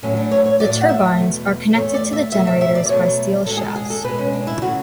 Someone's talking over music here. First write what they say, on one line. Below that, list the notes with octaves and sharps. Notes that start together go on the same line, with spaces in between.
The turbines are connected to the generators by steel shafts.
A2 F#3 A3 C#4
D4
C#5
C#5
A2 F#3 A3 D5
F#5
E5
E2 B2 A3
E2 B2 A3 C#5
D5
E5
B2 F#3 A3 E5
E5
E5
D5
D5
B2 F#3 A3 C#5
B2 G#3 A4
G#4
A4
G#4
A4
B2 G#3 B4
C#4
D4
E4
C#3 F#3 A3 F#4